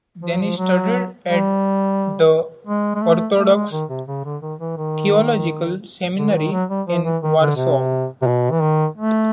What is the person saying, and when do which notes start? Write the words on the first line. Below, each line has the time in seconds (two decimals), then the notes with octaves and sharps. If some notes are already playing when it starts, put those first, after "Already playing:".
Then he studied at the Orthodox Theological Seminary in Warsaw.
0.22 F3
0.33 F#3
0.42 F3
0.57 F#3
1.27 G3
2.67 G#3
2.95 G#3
3.02 A3
3.38 A3
3.54 G#3
3.72 D#3
3.90 C3
4.08 C#3
4.25 D3
4.42 D#3
4.60 E3
4.77 D#3
6.18 D3
6.30 E3
6.35 D#3
6.52 F#3
6.70 G3
6.87 F3
7.05 E3
7.23 D#3
7.40 D3
7.57 C3
8.22 C3
8.27 B2
8.51 E3
8.62 D#3
8.97 A3